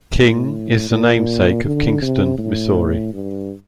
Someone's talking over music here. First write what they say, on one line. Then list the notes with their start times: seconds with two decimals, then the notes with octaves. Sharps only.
King is the namesake of Kingston, Missouri.
0.16 A2
0.90 A#2
1.65 D3
2.02 C3
2.38 A2
3.13 G2